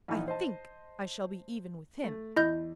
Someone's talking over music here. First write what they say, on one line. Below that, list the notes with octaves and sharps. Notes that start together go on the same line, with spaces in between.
I think I shall be even with him.'
A#1 E3 D#4
C5 D#5 A5
A3
E2 E4 D#5 G6